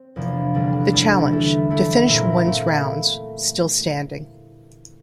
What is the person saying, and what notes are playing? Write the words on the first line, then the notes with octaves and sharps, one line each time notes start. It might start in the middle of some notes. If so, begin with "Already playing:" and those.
The challenge: to finish one's rounds still standing.
Already playing: C4
E2 C3 F3 A#3 D4
E2 D3 G3 D4 A4
E2 D3 G3 D4 A4
E3 A3 E4 A4
E3 A3 E4 A4
A#2 A3 C4 E4 A#4
A#2 A3 E4